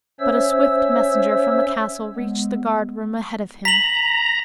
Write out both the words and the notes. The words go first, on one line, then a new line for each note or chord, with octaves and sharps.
But a swift messenger from the castle reached the guard-room ahead of him.
C#4 C5 C#5 E5 E6
G#3 B3
A#5 B6 F#7